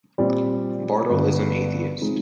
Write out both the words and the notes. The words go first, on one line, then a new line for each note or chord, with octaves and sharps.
Bartle is an atheist.
A#2 G3 C4 G4 D5
G1 G2 D3
C3 F3 G#3 D#4